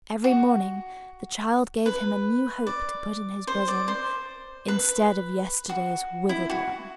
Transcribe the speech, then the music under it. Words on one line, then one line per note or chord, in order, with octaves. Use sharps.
Every morning the child gave him a new hope to put in his bosom, instead of yesterday's withered one.
F#4
B4
D5
C5
D5
C5
B4
F#4
E4
F#4